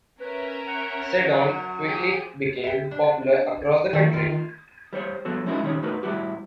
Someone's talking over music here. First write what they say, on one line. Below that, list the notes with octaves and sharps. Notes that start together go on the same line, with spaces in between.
Seddon quickly became popular across the country.
C#4 A#4 B4 E5
F#5
F#3
F3 G4 G#4
G4 E5
D4
D#3 A3 E5
D#3 F4
G3 C5 C#5
F3 G3 B3 F#4 A4
G#3 C#4 D#4 E4 F#4 A#4
D#3 G3 C#4 D#4 B4 C#5
A3 D#4 F#4 A#4 B4
A2 G3 E4 F#4 G4